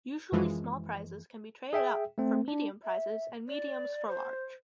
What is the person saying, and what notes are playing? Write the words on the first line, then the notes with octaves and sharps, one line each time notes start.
Usually small prizes can be traded up for medium prizes and mediums for large.
F#2 E3 F3 G#3
G#4 E5 G5
A3 C4
D4
E5
D5
C5